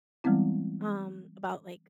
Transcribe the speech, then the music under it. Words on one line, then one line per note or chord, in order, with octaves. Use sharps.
um, about, like,
E3 G3 G#3 B3 C4 E4